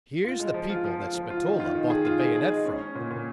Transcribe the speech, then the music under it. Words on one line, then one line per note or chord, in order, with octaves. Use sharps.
Here's the people that Spatola bought the bayonet from.
F4
G#3
F3
F4
F3
F4
F3
F4
D#3
F4
D#3
G#4
F4
G#4
G#4
G#3
C#4
C#4
A#2
A#2